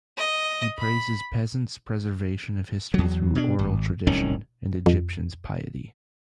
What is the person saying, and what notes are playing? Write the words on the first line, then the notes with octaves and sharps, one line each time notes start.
He praises peasants' preservation of history through oral tradition, and Egyptians' piety.
D#5
B5
E2 F#3
B2 D4
G#1
D1 C2 D#3 C#4
F2